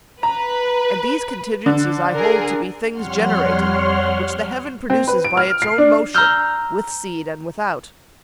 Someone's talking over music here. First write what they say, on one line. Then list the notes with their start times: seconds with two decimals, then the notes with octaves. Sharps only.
And these contingencies I hold to be Things generated, which the heaven produces By its own motion, with seed and without.
0.23 B4 A#5
1.66 D3
2.14 G#4 A#4
2.91 F2 G3 C#5 F#5 C6 F6
4.90 C4
5.08 B4
5.24 D7
5.37 F6
5.62 C7
5.78 D4
6.14 A#5 E6 F6 G6